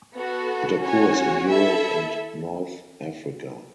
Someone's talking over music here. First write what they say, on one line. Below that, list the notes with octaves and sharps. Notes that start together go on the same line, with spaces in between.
It occurs in Europe and North Africa.
B3 F#4 A4
C#4 F#4 C#5 G#5
E4 A4 E5